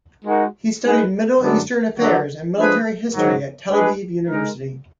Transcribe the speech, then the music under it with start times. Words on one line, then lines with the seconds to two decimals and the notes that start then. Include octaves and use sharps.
He studied Middle Eastern affairs and military history at Tel Aviv University.
0.24 G#3 D#4 F#4 A#4
0.83 G#3 D#4 G#4 B4
1.40 F#2 D3 G#3 B3 D4
1.97 D3 F#3 D4 F#4
2.55 F3 G#3 D4 G#4 B4
3.13 G#2 D#3 F#3
3.70 G#3 D4 G#4 B4
4.28 G#3 D#4 A#4